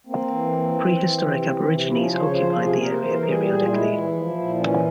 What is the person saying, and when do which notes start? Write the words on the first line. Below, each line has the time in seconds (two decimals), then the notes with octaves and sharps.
Prehistoric aborigines occupied the area periodically.
0.07 A#3 C4
0.29 E3
0.52 A#3
0.75 E3
0.97 E3
1.20 C3
1.43 E3
1.66 C3
1.88 F3 E4
1.99 C#4
2.11 C#3 C5
2.22 C#5
2.33 F3 C5
2.48 F4
2.56 C3 G4
2.63 G#4
2.78 A#3 A#4
2.90 C5
3.01 E3 C5
3.07 G#4
3.12 A#4
3.24 G3 G#4
3.46 A#2 G#4
3.62 F4
3.70 G#3 E4
3.92 E3
4.15 F3
4.37 A#2
4.60 E3 C#4